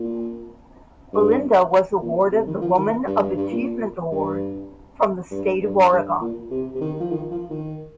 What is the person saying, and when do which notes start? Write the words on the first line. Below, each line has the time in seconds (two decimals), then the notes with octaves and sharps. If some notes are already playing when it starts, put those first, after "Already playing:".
Belinda was awarded the Woman of Achievement Award from the State of Oregon.
Already playing: A#2
1.13 G2
2.02 A#2
2.32 C3
2.47 D#3
2.62 F3
2.77 D#3
3.07 G2
3.22 G2
3.37 G2
3.52 A#2
4.12 G2
5.31 G2
5.61 G2
5.91 G2
6.21 A#2
6.51 C3
6.75 C3
6.81 D#3
7.00 F3
7.11 D#3
7.31 F3
7.51 D#3